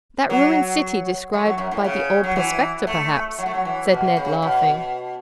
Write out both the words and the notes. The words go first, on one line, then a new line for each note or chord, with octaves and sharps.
"That ruined city described by the old prospector, perhaps," said Ned, laughing.
F#3
A3
F#3
F#2
A2
C#3
F#3
E3
A3
F#3
A3
F#3
E3
B2
C#3
B2